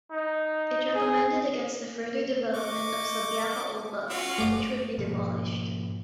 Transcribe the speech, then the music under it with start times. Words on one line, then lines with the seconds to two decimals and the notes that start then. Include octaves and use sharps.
It recommended against the further development of Subiaco Oval, which would be demolished.
0.11 D#4
0.95 G#4
2.54 D#5 C#6 D6
4.10 C#4 F4 F#4
4.38 A3 D5 D#6
4.98 G#2 B2 F3 A#3